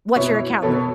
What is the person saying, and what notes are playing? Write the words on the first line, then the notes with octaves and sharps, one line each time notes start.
What's your account number?"
B2 B3 E4 C#5
B2 B3 A4 C#5